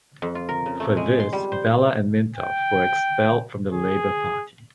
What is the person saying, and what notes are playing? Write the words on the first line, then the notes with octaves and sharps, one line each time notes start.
For this Abela and Mintoff were expelled from the Labour Party.
F2
F4
A#4
C#3
A3
G#3
C6
G3
C5
G5
G#4